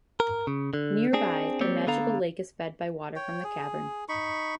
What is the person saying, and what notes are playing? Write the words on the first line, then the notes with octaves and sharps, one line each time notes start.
Nearby the magical lake is fed by water from the cavern.
A#4
C#3
D3
C4 D4 G#4
G3 A#3 C4 C#5
D3 B3 A4 F5 A#5
C#5 G5
G#4
D#4 B5 C#6